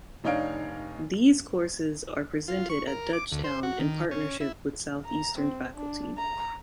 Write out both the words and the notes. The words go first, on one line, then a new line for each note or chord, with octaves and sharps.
These courses are presented at Dutchtown in partnership with Southeastern faculty.
F1 D4 D#4 C#5 F5 D7
F4
C#6
A#4
D6
D2
C5
F#4
D#3
C#4
E4
A#5
C4
D4
A#5